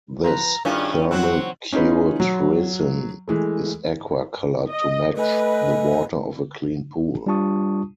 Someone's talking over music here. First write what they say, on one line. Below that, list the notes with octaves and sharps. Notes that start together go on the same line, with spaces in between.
This thermal-cured resin is aqua-colored to match the water of a clean pool.
F3 G#4 B4 A#5
G2 D#3 C#4 E4 F4 G#4
F#3 C4 F#5
C#4 D#4 F4 G#4 B4
F#3
E3 G#3 A3
D#5
A3 A4 B4 D#5 G#5
G3 D4 F4 A5 C#6 D#6